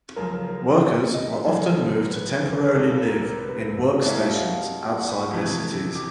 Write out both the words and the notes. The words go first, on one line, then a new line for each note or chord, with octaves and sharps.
Workers were often moved to temporarily live in work stations outside their cities.
F#2 C#3 F3 A#4
A#4
A#4
C5
C#5
D#5
E5
F#2 C#3 F#3 D5
A4
A4
A#4
B4
C5
A#4
B4
C#2 C3 D#3 G3 A4
A#4
A#4
B4
B4
C5
B2 G3 A#3 C#4 E4 D5
E5
F5
F#5
B5
C#6
F2 C3 E3
D6